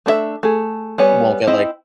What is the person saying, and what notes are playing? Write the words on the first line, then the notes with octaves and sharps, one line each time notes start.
won't get like
A3 D4 C#5 E5
A3 G#4
G3 B3 C#5 G#5
C4 E4 D#5